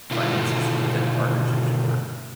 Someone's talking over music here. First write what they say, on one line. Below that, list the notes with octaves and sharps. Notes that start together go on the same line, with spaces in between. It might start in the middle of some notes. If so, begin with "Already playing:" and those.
finances within a partnership should work?
B2 D3 D#3 A3 E4 F4